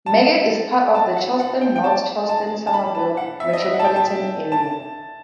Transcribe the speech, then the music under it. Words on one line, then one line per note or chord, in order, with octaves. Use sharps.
Meggett is part of the Charleston-North Charleston-Summerville metropolitan area.
A5
A5
F#5
F#5
G5
G5
A5
A5
A5
B5
A5
F#5
E5
D#5
E5
F#5
A5
G5
A5
A5